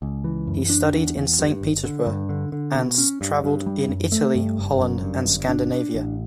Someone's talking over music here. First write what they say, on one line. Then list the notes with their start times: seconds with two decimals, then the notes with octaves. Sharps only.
He studied at Saint Petersburg and travelled in Italy, Holland and Scandinavia.
0.02 C#2
0.24 E3
0.47 F#2
0.70 D4
0.93 E2
1.16 E2
1.39 G2
1.61 G1
1.84 D3
2.07 G2
2.29 D3
2.52 D3
2.75 B2
2.98 C#4
3.21 G2
3.44 G2
3.66 G3
3.89 F#2
4.12 A3
4.35 G2
4.57 F#1
4.81 F#2
5.03 G2
5.26 G1
5.49 D4
5.72 D4
5.94 A1